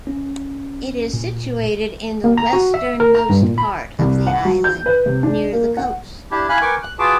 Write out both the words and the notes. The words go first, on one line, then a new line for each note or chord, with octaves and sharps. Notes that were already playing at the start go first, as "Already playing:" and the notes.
It is situated in the westernmost part of the island, near the coast.
C#4
A#2
A#3
A#5
F#4
E5
A#4
A#5
G2
A#2
B5
C2
F#5
F#3
G6
B4
C3
D4
A#3
F#5
D4 E4 G4
E4 F5 G#5 B5 F#6
A#4 B4 G5 G#5 C#6 D6
F#6
F4 F#4 G#4 B4 A5 D6